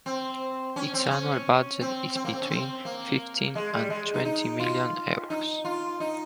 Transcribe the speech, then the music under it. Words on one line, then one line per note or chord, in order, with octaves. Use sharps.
Its annual budget is between fifteen and twenty million euros.
C4
C#4
C4
C#4
C4
C4
A#3
C4
C#4
C4
A#3
G#3
G3
G#3
D#4
D#4
F4
D#4
F4
D#4